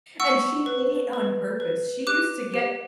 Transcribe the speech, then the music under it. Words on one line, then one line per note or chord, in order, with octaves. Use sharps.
And she did it on purpose, she used to get
F#5 C#6 E6
B4
B4
B4
G4 D6 F#6
G4